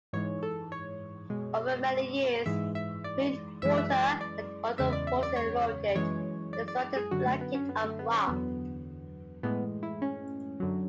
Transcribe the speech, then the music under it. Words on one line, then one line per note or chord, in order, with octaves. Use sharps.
Over many years, wind, water and other forces eroded the surrounding blanket of rock.
G#2 E3 G#3 C#5
A4
C#5
B2 G#3
G#2 E3 G#3 E5
E5
D5
F#2 E3 G#3 E5
E5
D5
D5
E2 C#3 G#3 E5
D5
E5
D5
C#5
F#2 E3 G#3 C#5
D5
D5
D5
G#4
F#2 D3 F#3 F#4
A3
B3
C#4
B3
A3
B3
C#4
E2 D3 F#3 B3
A2 E3 G#3 B3
E4
C#4
F#2 D3 F#3